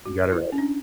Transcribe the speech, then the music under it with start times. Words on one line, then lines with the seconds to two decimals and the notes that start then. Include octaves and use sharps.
you got it right,
0.05 F#4
0.32 E4
0.52 C#4
0.58 D4